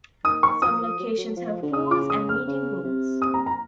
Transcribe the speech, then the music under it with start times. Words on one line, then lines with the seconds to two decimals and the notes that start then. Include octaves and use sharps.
Some locations have pools and meeting rooms.
0.24 D#3 D#6
0.43 C#6
0.62 F3 D#6
0.81 F3
0.99 F#3
1.17 F#3
1.36 F3
1.62 D3
1.72 C#3 D#6
1.91 D6
2.10 D#6
2.29 F6
2.47 C#3
2.84 C3
3.22 D#6
3.34 A#5
3.46 A#5